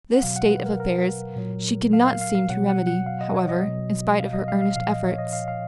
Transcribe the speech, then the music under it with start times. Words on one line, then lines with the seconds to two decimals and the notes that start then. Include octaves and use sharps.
This state of affairs she could not seem to remedy, however, in spite of her earnest efforts.
0.14 F#5
0.22 B2 F#3 F5
0.36 F#5
0.51 B4
0.66 A#4
0.80 A#4
1.36 A#2 F#3
1.93 F5
2.07 F5
2.21 F5
2.35 F5
2.49 B2 F#3 F#5
2.69 F#5
2.87 F#5
3.06 F5
3.21 D#5
3.34 C#5
3.49 D#5
3.63 B2 F#3
4.20 F5
4.33 D#5
4.48 F5
4.62 F5
4.76 A#2 F3 F5
4.90 D#5
5.05 C#5
5.18 D#5
5.33 F5
5.48 F5